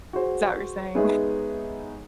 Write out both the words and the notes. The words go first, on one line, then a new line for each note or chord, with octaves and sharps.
Is that what you're saying?
F#4 G#4 C5
G#3 B3 D#4 G#4 C#5 E5